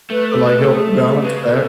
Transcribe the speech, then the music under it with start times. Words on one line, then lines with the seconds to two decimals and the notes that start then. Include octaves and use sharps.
to, like, help balance that.
0.11 A3 B4
0.31 A4
0.48 B4
0.61 A4
0.75 G#4
0.88 A4
1.23 C#3 B4
1.44 B4
1.51 B2 A4